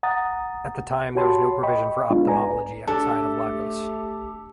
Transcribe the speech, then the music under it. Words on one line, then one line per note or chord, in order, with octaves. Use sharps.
At the time there was no provision for ophthalmology outside of Lagos.
F#5 A#5 D#6 A6
F#4 G4 C#5 A5 B5 C6
D#5 G5 B5 C#6
G#3 B3 D4 D#4 F4
B4 D5 G#5 A#5
A3 D4 G4 A4